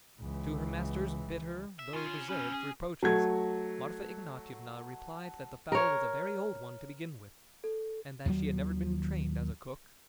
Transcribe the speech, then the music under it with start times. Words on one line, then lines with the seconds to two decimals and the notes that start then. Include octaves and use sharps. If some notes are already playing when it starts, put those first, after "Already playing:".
To her master's bitter, though deserved, reproaches, Marfa Ignatyevna replied that the fowl was a very old one to begin with, and that she had never been trained as a cook.
0.20 C#2 E3
1.79 E5
1.93 C#3 C#4 F4
2.29 C4 C#4 B4
2.53 G#4
3.03 F#3 A3 G#6
5.72 A#4 C#5
7.64 A4
8.26 D#2 D#3 F3 F#3